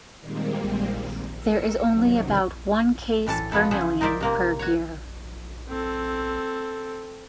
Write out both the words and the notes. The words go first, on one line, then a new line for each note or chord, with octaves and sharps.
There is only about one case per million per year.
A#2 D#3 G3 G#3 A#3 C4
A#4 E6 C#7
F#2 C3 D#3 F#3
A2 E3 A4 A5
B2 F3 B3 E4 A4
C#3 F3 G#4 C5 E5 F#5
D#4 A#4 C5 D5 E5
C3 A#3 C4
F#4 C#5
C4 A4